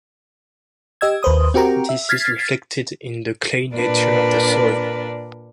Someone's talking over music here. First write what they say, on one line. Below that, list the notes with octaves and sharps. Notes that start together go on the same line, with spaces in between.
This is reflected in the clay nature of the soil.
G4 D#5 E6 G#6
D#2 B4 C5 D#6
C4 F#4 G4 A#4 A#5
E5
F6 G#6 A6 B6 C7
A#2 D4 A#4 B4 D5